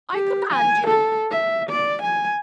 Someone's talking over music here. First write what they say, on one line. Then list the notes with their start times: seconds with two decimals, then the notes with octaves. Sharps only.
"I command you!"
0.13 G4
0.52 G#5
0.87 A4
1.31 E5
1.69 D5
2.02 G#5